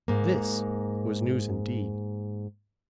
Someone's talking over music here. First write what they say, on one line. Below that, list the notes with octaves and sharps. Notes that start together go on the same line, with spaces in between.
This was news indeed.
G#2 A#3